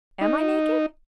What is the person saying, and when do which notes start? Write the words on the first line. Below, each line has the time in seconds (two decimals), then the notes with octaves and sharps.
'Am I naked?
0.21 D#4